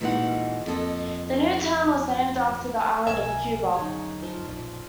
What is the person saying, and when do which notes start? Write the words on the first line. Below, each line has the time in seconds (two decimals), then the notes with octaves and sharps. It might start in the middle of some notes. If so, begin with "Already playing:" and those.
The new town was named after the island of Cuba.
0.01 A#2 E3 G#3 D#4 F#4 F#5
0.66 F2 A#3 A4 D#5
3.07 B1 F3 A#4 E5 G#5
3.76 F#2 D3 F#3 D#4 G#4 C#5
4.22 F3 F4 A5
4.47 A#1 F#2 B2 F4 D5 B5